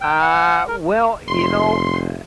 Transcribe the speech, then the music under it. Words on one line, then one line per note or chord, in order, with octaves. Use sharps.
Uh, well, you know, eh
G5
F#5
A#4
F1 C6